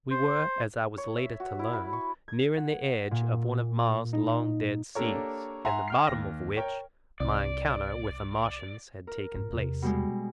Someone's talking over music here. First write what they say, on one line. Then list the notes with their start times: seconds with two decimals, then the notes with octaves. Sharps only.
We were, as I was later to learn, nearing the edge of one of Mars' long-dead seas, in the bottom of which my encounter with the Martians had taken place.
0.11 C5
0.98 C#5
1.17 E5
1.40 F#4
1.59 E4
1.73 B5
1.93 C#6
2.28 G#6
2.57 F#5
3.11 A#2
4.13 D#4
4.95 A#3 D4 G4 A4 A#4 C#5
5.65 E5 F#5 G#5 A#5 C6
5.88 G5 F6 C7
6.07 D#2 A#6
6.56 A#4 C#5 G5
7.20 C2 D5
9.07 A#4
9.34 G#2 F4
9.52 E2 C3
9.82 B2 G3 G#3